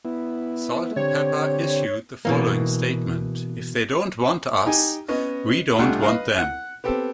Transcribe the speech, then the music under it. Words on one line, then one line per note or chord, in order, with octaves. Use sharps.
Salt-n-Pepa issued the following statement: If they don't want us, we don't want them.
B3 E4
D3 C4 G4 C#5
B2 E3 A#3
D#4 G4 G#5
B3 C#4 D#5
C#2 G3 A3 D4 G4 F#5
B4 D#5 F5
F#5 F#6
B3 C4 G4 A4